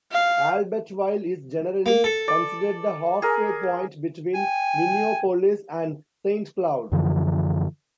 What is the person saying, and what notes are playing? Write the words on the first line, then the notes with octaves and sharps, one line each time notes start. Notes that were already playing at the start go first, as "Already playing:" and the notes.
Albertville is generally considered the halfway point between Minneapolis and Saint Cloud.
F5
A#3
A4
D5
G#4 A#4
G5 G#5
F#2 D3 E3 F3